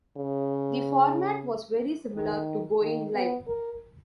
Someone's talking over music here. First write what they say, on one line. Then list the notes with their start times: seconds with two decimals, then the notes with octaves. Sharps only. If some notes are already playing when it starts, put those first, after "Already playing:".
The format was very similar to Going Live!
0.17 C#3
2.15 D#3
2.81 D#3
3.14 B3
3.48 A#4